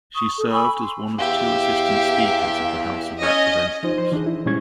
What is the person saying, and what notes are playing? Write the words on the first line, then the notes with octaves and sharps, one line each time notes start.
She served as one of two Assistant Speakers of the House of Representatives.
C#6 D#6
A4
G#5 B5 C#6 E6
C6
E2 G4 E5 F5
C#4 D#5
F3 D#4 F4 C5
C5
E3 D4 D#4 G#4
E4
A#2 G3 G#3 C#4 C#6 G#6